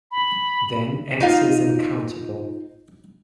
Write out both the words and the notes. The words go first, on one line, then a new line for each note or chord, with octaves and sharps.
Then "X" is uncountable.
B5
D#4 F4 F5